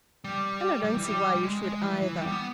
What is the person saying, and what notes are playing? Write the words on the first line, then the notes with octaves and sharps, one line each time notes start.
And I don't see why you should, either.
G3
G3
E3
G3
G3
G#3
G#3
E3
E3
G3
B3